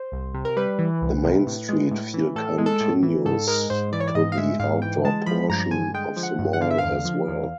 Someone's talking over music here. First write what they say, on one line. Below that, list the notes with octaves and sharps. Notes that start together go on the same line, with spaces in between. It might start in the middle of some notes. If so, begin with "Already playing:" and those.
The Main Street feel continues to the outdoor portion of the mall, as well.
Already playing: C5
C2
C3
A#4
G3 B4
E3
C2
C3
A2
G#3
A2
E3
A2 A4
G#3
A4
A2
E3
G#2 A4
G#3 A#4
G#2 C5
E3 D5
C#5
D5
G#2 D#5
F5
G#3 E5
G#2 F5
E3 G5
G#3 A5
F3 B5
G2 A#5
D3 G#5
G#3 G5
F3
F#5
G2
F#5
D3 F5
E5
E2 F5
F3
E2